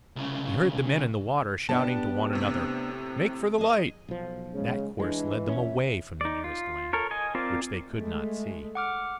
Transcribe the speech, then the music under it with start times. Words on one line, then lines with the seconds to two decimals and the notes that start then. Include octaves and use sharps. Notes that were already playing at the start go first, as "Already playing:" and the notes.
He heard the men in the water shouting to one another, "Make for the light." That course led them away from the nearest land, which they could not see.
0.16 C2 C#3
1.69 B3 D4 G4 A5
2.33 A2 C3
3.58 G#4 D#5
4.08 B1 F3
4.53 C#3 G#3
5.00 E3 G#3 D4
5.48 E1 C#4 E5
6.21 D#4 D5
6.44 F4
6.93 A4 A#4 C#5
7.11 D#5 G#5
7.35 C4 F4 A#4 C5 D5
7.90 G#3 A3
8.75 F#5 D6 F6